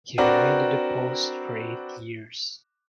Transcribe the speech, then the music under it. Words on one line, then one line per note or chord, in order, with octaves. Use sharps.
He remained in the post for eight years.
C4 D4 F#4 A#4 B4 D5